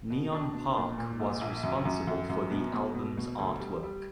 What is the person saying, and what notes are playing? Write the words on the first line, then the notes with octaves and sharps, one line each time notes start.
Neon Park was responsible for the album's artwork.
B2
D4
B2
A#2
A#2
A#1
A#1
F#2
F#2
F#2
F#2
B2
B2
B2
B2
D2
G3
G3